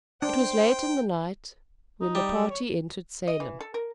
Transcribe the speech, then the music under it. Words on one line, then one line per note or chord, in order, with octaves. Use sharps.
It was late in the night when the party entered Salem.
D4 C5 G5
D#4
G3
A4
C#5
D#5
E3
A4
A#4